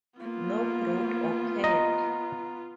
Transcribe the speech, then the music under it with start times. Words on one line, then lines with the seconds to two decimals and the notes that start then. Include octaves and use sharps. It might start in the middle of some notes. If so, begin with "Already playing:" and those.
No growth occurred.
0.20 A#3 B3 F4
1.64 D#5 A#5